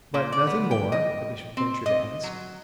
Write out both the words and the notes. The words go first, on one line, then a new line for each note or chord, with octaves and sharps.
"But nothing more?" the Bishop ventured to ask.
A#2
D5
B3
G5
D#5
C4
D#5
F#3